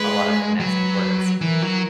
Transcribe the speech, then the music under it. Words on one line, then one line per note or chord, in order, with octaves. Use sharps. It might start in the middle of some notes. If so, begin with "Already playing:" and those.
a lot of nasty words.
Already playing: G#3 B4
F#3 B4
E3 A#4
F#3